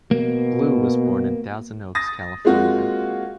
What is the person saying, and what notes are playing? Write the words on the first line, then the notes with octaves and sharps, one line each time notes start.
Blue was born in Thousand Oaks, California.
B2 A#3
D#6 A6 A#6
G#3 A#3 C4 F4 F#4